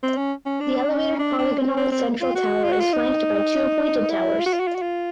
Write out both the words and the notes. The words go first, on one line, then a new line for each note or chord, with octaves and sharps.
The elevated polygonal central tower is flanked by two pointed towers.
C4
C#4
C#4
D4
C#4
D4
D4
C4
C4
C4
F4
F#4
F4
F#4
F4
D#4
E4
F4
F#4
F4
F#4
F4
F#4
F4